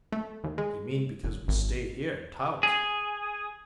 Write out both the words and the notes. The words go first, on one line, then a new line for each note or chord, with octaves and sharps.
"You mean because we stay here in Tarleton?"
A3
D#2
G#3
F1
G#1
G#4